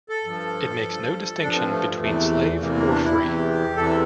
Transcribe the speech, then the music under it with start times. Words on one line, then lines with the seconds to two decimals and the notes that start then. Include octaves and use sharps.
It makes no distinction between slave or free.
0.09 A4
0.24 G2 F3
0.82 G2 F3
1.42 G2 F3 D4
1.56 C4
1.71 A3
2.00 E2 C3 E3 A3
2.59 E2 C3 E3 A#3
2.74 A#3
2.89 D4
3.04 E4
3.18 E2 C3 E3 G4
3.76 E2 C3 E3 A4